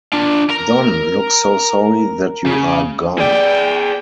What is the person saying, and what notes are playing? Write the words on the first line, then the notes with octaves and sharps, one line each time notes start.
Don looks so sorry that you are gone.
D4 F4
A#4 A#5
C#3
G#4 D5 G5